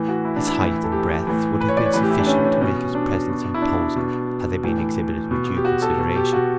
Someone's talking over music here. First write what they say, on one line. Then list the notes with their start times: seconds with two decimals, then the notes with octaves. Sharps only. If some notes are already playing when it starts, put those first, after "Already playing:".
His height and breadth would have been sufficient to make his presence imposing, had they been exhibited with due consideration.
Already playing: A2 E3
0.08 F#4
0.25 E4
0.36 D4
0.47 E4
0.59 A2 E3
0.84 A4
0.92 G4
1.27 A2 E3
1.60 B4
1.68 C#5
1.77 D5
1.86 C#5
1.93 A2 E3 B4
2.03 G4
2.11 E4
2.19 D4
2.27 C#4
2.44 C#4
2.61 B2 C#4
2.95 D4
3.29 B2
3.54 E4
3.62 D4
3.96 B2
4.64 A2 E3
5.31 B2
5.56 G4
5.65 F#4
5.82 A4
5.99 B2 A4
6.16 G4
6.33 F#4